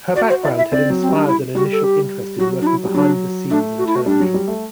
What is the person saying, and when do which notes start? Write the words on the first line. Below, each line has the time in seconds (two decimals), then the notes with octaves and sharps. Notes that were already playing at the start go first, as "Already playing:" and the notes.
Her background had inspired an initial interest in working behind the scenes in television.
0.16 F#4 D5
0.30 C5
0.43 E4 D5
0.58 E5
0.72 C4 D5
0.90 F#3
1.02 C4
1.09 G3
1.14 D4
1.27 E4
1.55 G3 F#4
1.72 A4
1.84 G4
2.38 F#3 F#4
2.61 D4
2.67 E4
2.85 G3
2.94 F#3 D4
3.50 A3 D4
3.78 F#4
3.87 E4
3.95 F#4
4.06 G3 D4
4.20 F#3
4.34 G3
4.48 A3